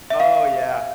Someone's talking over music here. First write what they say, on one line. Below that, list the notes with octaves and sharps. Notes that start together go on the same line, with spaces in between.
Oh, yeah.
E5
F5